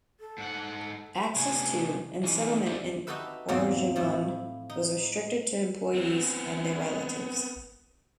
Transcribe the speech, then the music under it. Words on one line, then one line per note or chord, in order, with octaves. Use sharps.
Access to, and settlement in Oranjemund was restricted to employees and their relatives.
A4
G#2 F#5
C3 A3 B3 D4 G4 G#5
E3 G#3 D#4
G4 C5 D5 E5
D#4 F#4 G4 A4 B4 E5
E2 G#2 A#3 C4 D#4 D5
A2 F3 E4
D#4
B3 C4